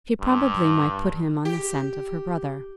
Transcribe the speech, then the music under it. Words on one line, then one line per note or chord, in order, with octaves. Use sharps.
She probably might put him on the scent of her brother.
G2
G4